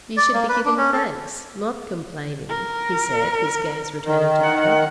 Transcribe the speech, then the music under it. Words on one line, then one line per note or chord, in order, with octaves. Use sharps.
"You should be giving thanks, not complaining," he said, his gaze returning to her.
D5
A#3
B4
D4
C#4
A4
A#4
D#3
F#5